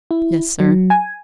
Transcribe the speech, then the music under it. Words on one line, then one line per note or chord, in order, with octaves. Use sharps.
"Yes, sir."
E4
F#3
G#5